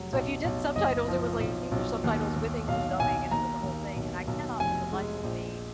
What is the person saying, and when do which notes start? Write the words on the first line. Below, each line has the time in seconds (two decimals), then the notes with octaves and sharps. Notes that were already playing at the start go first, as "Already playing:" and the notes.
So, if you did subtitles, it was like English subtitles with English dubbing, and it was a whole thing, and I cannot for the life of me
Already playing: F1 F#3
0.13 B1
0.45 B1
0.76 F#1 D#5
1.08 F3
1.40 B1
1.72 B1
2.04 D#2
2.36 D#2
2.68 B1 F5
3.00 B1 G#5
3.31 D#2 A#5
3.63 D#2
3.96 B1
4.28 B1
4.60 F1 G#5
4.92 G#3
5.24 A#1